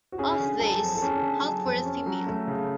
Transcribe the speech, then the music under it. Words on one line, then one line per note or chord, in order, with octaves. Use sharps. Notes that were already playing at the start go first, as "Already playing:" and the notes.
Of these, half were female.
F#4
C#4 G#4
D3
F#3 A4
F2
A4
C#4 G#4
D3
F#3
F2
C#4
F#3
A3
C#3